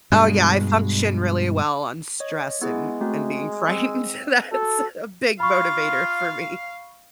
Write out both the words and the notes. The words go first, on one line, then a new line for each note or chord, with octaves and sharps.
Oh, yeah, I function really well on stress and and being frightened, that's a big motivator for me.
G2 B2 G#3
C#5 D#5
G#3 B3 E4 G#4
A3 C4 F#4
C4 E6
F#4 A4
F4 F5 B5 C#6